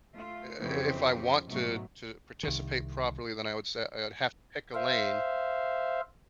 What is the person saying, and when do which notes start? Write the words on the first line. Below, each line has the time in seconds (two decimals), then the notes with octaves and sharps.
e eh, if I want to, to participate properly, then I would say I would have to pick a lane,
0.13 A3 F4
0.58 F2 C#3 E3 C4 G4
1.46 G#2 B2 F#3 A3
2.43 C2 D#3
4.74 C5 E5 F5